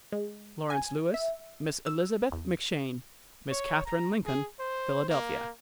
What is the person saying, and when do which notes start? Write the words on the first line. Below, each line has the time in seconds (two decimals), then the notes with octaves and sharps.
Lawrence Lewis, Miss Elizabeth McShane, Miss Katherine Lincoln, Philadelphia.
0.12 G#3
0.70 G#5
1.14 E5
1.86 E6
2.32 E2
3.51 C#5
3.86 A#5
4.26 G#4
4.59 C5
5.09 A#3